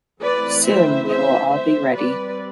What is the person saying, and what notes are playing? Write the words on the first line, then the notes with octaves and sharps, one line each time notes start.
Soon we will all be ready.
E3 A3 C4 B4 D5
C5 E5
C5 E5
C5 E5
G3 C4 B4 D5